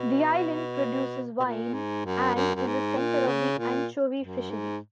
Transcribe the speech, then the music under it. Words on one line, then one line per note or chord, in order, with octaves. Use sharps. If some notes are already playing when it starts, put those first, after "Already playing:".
The island produces wine, and is a centre of the anchovy fishery.
Already playing: B2
B2
A#2
G#2
F#2
F#2
F#2
G#2
A#2
C#3
A#2
F#2
G#2